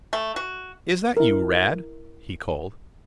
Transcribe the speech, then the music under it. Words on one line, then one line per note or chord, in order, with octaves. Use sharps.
"Is that you, Rad?" he called.
A3
F#4
E4 A#4